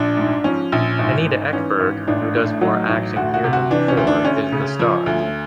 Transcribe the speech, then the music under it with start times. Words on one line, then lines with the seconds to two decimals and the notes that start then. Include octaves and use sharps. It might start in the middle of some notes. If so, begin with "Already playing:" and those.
Anita Ekberg, who does more acting here than before, is the star.
Already playing: A#1 D4
0.17 G#2
0.44 F3 C#4
0.72 A#1
0.99 G#1
1.25 G#2
1.53 E3 C#4
1.80 G#1
2.07 A1 D4
2.35 A2
2.61 F#3 D#4
2.89 A1
3.16 D2 F#4
3.34 F#4
3.44 C3
3.53 F#4
3.70 E3 D4
3.88 C#4
3.97 D2
4.07 D4
4.25 D2 C#4
4.52 C#3
4.79 F3
5.06 D2